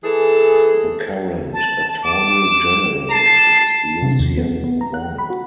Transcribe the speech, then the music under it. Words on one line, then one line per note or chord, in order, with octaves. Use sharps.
The current Attorney-General is Lucien Wong.
E3 G#4 A4
A5
D6 E7
A5 C7
C3
D#2
B3
B3
A#5
F#6
B5
F#4